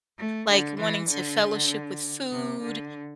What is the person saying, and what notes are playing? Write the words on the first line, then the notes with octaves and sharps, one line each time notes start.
like, wanting to fellowship with food
A3
D3
E3
D3
C3
D3